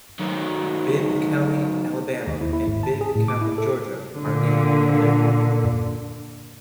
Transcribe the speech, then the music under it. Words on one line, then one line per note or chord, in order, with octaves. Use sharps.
Bibb County, Alabama, and Bibb County, Georgia, are named for him.
D#3 F#3
D#2
E4
E4
G#1
A5
G#4
A2
D6
E4
A4
A#2 D3